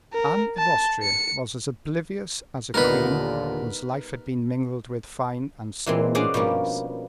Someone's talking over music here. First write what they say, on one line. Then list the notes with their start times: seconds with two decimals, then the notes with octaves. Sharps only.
Anne of Austria was as oblivious as a queen whose life had been mingled with fine and stormy days.
0.13 A#4
0.57 A5
1.02 C#7
2.74 D#2 A#2 D3 G3 B3 D#4 A#4 B4
5.86 A#2 E3 G#3 C4
6.15 C#4 D4 F#4 G#4 C5 D5
6.34 B2 F3 G3 A#3